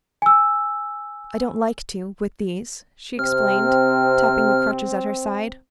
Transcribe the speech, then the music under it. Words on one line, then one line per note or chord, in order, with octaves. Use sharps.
"I don't like to--with these," she explained, tapping the crutches at her side.
G#5 E6
C3 C4 F6